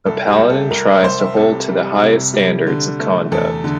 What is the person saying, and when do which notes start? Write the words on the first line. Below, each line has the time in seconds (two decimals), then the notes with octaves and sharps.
A paladin tries to hold to the highest standards of conduct.
0.06 C2 A4
0.28 G4
0.38 C2
0.49 A4
0.71 C2 A#4
1.03 C2 C5
1.19 E5
1.36 C3 A4
1.68 G3
2.02 C3
2.33 G3
2.67 D3
2.99 A3
3.31 E2 A4
3.64 D3